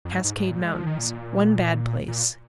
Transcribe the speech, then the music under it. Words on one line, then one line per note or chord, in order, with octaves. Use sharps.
Cascade Mountains.--One bad place.
F2
G#2
G#2
G#2
A#2
G#3
F3
D#3
A#2
A#2